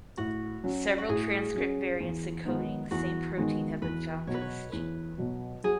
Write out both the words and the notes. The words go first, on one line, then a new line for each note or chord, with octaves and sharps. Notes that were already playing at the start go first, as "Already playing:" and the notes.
Several transcript variants encoding the same protein have been found for this gene.
A2 F#4
F#3 C#4
F#4
A2 G#4
F#3 C#4
E2
D#3 G#3 B3 D#4
E2 F#4
D#3 G#3 B3 D#4
E2 B4
B2 F#3 C#5
B4
C#5
E2 B4
B2 F#3
F#3 G#4